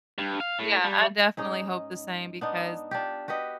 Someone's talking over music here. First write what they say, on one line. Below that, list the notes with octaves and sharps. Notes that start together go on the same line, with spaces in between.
Yeah, I definitely hope the same, because
G2
F5
A2
G3
G#2 C#4 D#4
B3 D4 D#4
D4 F4 G4
F#4 G4 B4 D#5